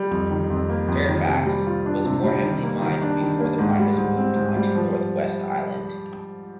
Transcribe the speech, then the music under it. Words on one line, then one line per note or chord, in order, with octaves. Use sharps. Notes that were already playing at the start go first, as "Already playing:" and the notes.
Fairfax was more heavily mined before the miners moved onto North West Island.
Already playing: G3
F2
D#3
F2
A#3
F2
D#3
C3
G3
F4
D4
C3
G3
D#3
A#3
D#3
D4
D#3
A#3
G#2
G3
G#2
C4
G#2
G3
F3